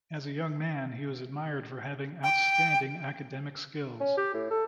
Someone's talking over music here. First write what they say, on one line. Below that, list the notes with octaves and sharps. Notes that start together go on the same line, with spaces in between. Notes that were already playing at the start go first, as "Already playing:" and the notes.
As a young man he was admired for having outstanding academic skills.
G5
C#4
G4
A2
A4